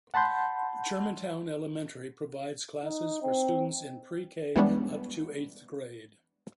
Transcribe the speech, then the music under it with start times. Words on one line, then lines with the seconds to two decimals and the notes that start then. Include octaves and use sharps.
Germantown Elementary provides classes for students in Pre-K up to eighth grade.
0.14 F#5 A5 B5 C6 G6
2.85 D#4
3.22 C4
4.56 E3 G3 G#3 B3 C#4 D4